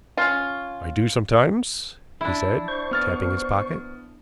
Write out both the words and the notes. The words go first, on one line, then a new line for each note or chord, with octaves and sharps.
"I do sometimes," he said, tapping his pocket.
C#4 F4
D4 E4
C5 C#6
B3 F6 A6